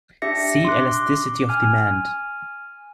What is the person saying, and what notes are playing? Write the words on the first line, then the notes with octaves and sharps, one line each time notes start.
See Elasticity of demand.
D4 G4 E5 A#6 C#7
C6 D6 F#6
G#5 F6